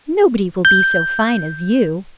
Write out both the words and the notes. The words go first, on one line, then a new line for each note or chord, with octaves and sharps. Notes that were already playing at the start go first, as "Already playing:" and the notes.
Nobody will be so fine as you.'
G6